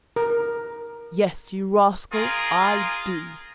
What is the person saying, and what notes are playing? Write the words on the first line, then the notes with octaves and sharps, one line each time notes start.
"Yes, you rascal, I do."
A#4
F4 G#4 A#4